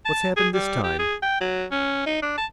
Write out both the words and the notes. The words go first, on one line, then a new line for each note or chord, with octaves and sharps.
"What's happened this time?"
A5
G#4
G3
G4
G#4
G5
F#3
C#4
D#4
D4
A5